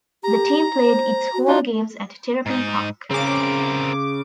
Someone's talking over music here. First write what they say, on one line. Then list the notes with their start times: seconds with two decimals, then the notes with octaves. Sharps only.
The team played its home games at Terrapin Park.
0.24 G4 A#5
0.83 C5
1.34 F#4
1.48 D4 D#4 F4
2.46 G#2 D#4
3.11 C#3 C4 A#4 D6